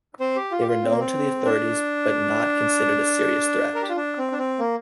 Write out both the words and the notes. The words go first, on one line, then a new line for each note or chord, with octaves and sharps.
They were known to the authorities but not considered a serious threat.
C4 C5
G4
F4
G4
F4
C4
A#3
C4
D4
A#4
G4
F4
D4
C4
D4
C4
A#3